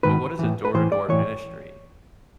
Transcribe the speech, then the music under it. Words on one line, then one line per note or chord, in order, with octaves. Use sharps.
well, what is a door-to-door ministry?
G#2 D#3 B4
A2 E3
B4
A2 E3 C5
D5
A2 E3 C#5